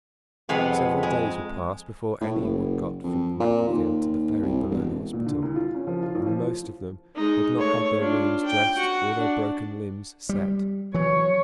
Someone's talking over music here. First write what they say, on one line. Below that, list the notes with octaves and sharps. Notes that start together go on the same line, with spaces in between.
Several days would pass before any were got from the battlefield to the ferry below the hospital, and most of them had not had their wounds dressed or their broken limbs set.
F2 C3 G#3 B3
G#3
A2
F#1
F2
A#2
D#2
C2
E1
A#2
D3
C2
F4
C#4
F3
F4
A1
F3
G#3 D#4
A3 C#5
D4 F4
G5
F#4 F#5
D4
G3
E3 F#3 C#5